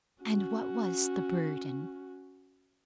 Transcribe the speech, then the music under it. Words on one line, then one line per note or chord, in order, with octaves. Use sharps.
And what was the "burden"?
C#4 F#4